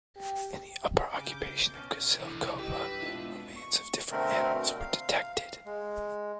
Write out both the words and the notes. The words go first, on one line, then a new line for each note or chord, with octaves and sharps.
In the upper occupation of Kizil Koba remains of different animals were detected.
G4
C#3 D6 G6
B2 C#4 F6
B1 C3 E3 D4 E4 A4
G2 G4 B4 D#5 E6
B2 G#3 C4 D4 E4 F4 D#5
C#6
B2 D3 A3 C4 A#4
F5
G#3